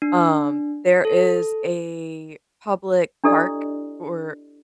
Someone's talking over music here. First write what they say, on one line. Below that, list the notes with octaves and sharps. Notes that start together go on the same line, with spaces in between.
Um, there is a public park or,
D4
A4
D4 E4 G4 A4 D5 D#5